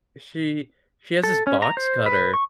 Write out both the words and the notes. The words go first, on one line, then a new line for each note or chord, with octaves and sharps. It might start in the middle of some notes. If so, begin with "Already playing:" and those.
she she has this box cutter
A4
C#4
A#5
C5
B4
C#6